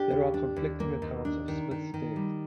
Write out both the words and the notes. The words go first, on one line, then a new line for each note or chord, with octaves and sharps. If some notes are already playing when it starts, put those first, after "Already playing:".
There are conflicting accounts of Smith's death.
Already playing: D4 G4
D#2
D4
D#2
A#3
D#2
D4
D#3
D#3
D#3
G3